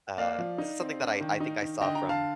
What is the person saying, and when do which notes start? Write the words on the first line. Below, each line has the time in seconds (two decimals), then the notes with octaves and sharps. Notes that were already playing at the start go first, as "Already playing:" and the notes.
uh this is something that I I think I saw from,
0.18 A#3 D5 F5
0.38 F3
0.58 D#4
0.80 C4
1.00 D4
1.21 D#3
1.40 D#4
1.62 D#3
1.81 D3 D#5 G5
1.95 G5 A#5
2.02 D3
2.09 F5 A5